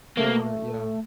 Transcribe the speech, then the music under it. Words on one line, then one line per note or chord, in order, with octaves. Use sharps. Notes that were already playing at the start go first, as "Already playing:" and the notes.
they wanna yeah.
A3 A#3